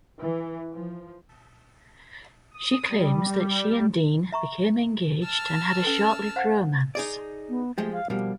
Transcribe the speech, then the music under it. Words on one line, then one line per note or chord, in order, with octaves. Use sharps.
She claims that she and Dean became engaged and had a short-lived romance.
E3
F3
D#6
G3
E5 A#5 C#6
A5 E6 F6
C#4 A4 B4
C5 F5 F#5
D#4 G#4 D5
B3
F3 G#3 A3 G4
F5
B2 F3 G3 A#3